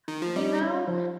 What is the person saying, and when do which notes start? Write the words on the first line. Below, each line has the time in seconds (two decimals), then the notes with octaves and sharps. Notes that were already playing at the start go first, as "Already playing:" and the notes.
You know,
0.08 D#3
0.22 F3
0.36 G3 D#4
0.62 C#4
0.87 F3